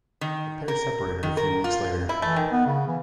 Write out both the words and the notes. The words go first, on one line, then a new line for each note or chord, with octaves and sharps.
The pair separated a few weeks later.
D#3
A#4
D#3
A#4
F4
E4
E3 A3
D#3
B3
C#3
E3